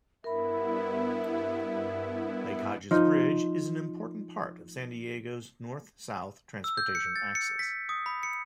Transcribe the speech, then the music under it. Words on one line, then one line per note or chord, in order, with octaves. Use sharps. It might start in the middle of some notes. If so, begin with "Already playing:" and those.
Lake Hodges Bridge is an important part of San Diego's North-South transportation axis.
G2 B3 E4 A#4 E5 B5
F3 D#4
E6
G6
C#7
A6
C#7
B6
D#6
B5
C#7